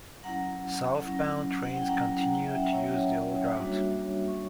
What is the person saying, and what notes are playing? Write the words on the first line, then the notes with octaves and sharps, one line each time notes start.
Southbound trains continued to use the old route.
F#3 C#4 E4 F#5 A#5
F#3 C#4 E4
F#5
G5
F#3 C#4 E4 F#5 A#5
F#5 A#5
E5 G5
F#5
F#3 C#4 E4 C#5 E5
G3 A#3 D4 F#4
C#6